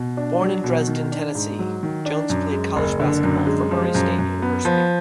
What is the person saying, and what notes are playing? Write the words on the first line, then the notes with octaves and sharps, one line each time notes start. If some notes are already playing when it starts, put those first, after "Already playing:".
Born in Dresden, Tennessee, Jones played college basketball for Murray State University.
Already playing: B2
D4
F#3
B2
D#3
D4
G#2
F#3
D#3
D4
F#2
G#3
F#1
D3
F#2
G#3
F3
F#2
F#2
B3
F3